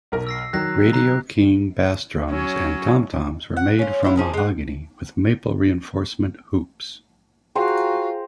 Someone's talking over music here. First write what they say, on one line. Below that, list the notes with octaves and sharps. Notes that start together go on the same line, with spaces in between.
Radio King bass drums and tom-toms were made from mahogany, with maple reinforcement hoops.
B1 A#4
E6 A#6 C7
D#3 F#3 F#6 A#6
A#5 F#6
F#3 C#4
F#5
C#4 F4
F#3 E4 F4
F3 G#4 A#4
G#3 F#5
F4 F#4 G#4 C5 G5 A#5